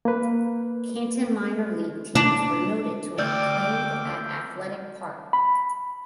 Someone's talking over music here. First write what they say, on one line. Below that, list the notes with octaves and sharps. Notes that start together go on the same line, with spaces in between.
Canton minor league teams were noted to have played at Athletic Park.
A#3 B4
D4
D2 D5 G5 D6 E6 F6 G6
B5